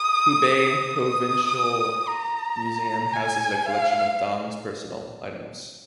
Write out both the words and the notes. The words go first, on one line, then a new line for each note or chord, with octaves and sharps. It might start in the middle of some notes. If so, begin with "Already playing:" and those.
Hubei Provincial museum houses a collection of Dong's personal items.
Already playing: D#6
D#6
A#5
G#5
F5